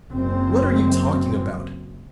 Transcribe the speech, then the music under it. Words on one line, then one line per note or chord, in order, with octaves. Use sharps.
What are you talking about?
F#1 F#2 C4